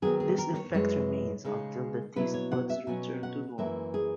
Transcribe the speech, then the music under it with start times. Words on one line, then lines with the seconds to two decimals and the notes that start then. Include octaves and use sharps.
This effect remains until the taste buds return to normal.
0.02 D#3 F#3 B3 D#4 G#4
0.20 G#4
0.38 A#4
0.56 C#5
0.73 F#2 E3 G#3 C#5
1.45 C#3 G#3 D#4
2.16 B2 F#3 B3 E4 B4
2.34 C#5
2.51 F#5
2.69 E5
2.87 B2 F#3 C#4 G#5
3.23 F#5
3.58 F#2 E3 A#3 E5
3.94 G#4